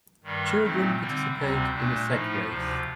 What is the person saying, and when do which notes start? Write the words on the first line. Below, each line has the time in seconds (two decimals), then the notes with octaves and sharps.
Children participate in a sack race.
0.24 G2 D#3 G3
0.60 A#2 A3 C4 D#4
0.99 D3 G3 C4
1.35 D2 C3 G3 C4
1.73 A#2 A3 D4
2.09 A2 F3 A3 D#4
2.46 D2 C3 F3